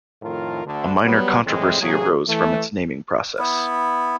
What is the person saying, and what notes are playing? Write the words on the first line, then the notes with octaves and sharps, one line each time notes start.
A minor controversy arose from its naming process.
F2 A2 D#3 A3 F4 A#4
D2 D3
F#3 G3 B3
C2 A2 E3 G3 G#3 C4
A1 C3 F#3 A#3 G#4
E3 A3
B3 E4